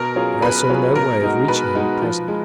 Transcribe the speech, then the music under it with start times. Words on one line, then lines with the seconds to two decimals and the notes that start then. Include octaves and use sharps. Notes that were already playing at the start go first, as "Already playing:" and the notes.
But I saw no way of reaching him at present.
Already playing: B2 A#4
0.15 F#3 C#4 F4 G#4
0.42 B2 B4
0.69 F#3 C#4 F4 G#4
0.95 B2 A#4
1.21 G#3 D#4 F#4
1.48 B2 B4
1.75 G#3 D#4 F#4
2.02 F3
2.28 G#3